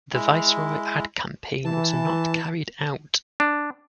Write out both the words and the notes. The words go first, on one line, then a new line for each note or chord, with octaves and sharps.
The Viceroy ad campaign was not carried out.
G#3 E4
E3 A5
D4